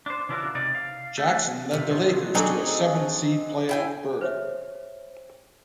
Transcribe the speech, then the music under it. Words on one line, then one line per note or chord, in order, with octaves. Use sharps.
Jackson led the Lakers to a seventh-seed playoff berth.
D4 C5
C#3 E3 D4 F4 F#4 A#4
C3 D#4 D5
F5
A3
C3 F4
G#1
F#3 C4 D4 D#4 G#4 A4
E4 G5 G#5
C5 C#5 E5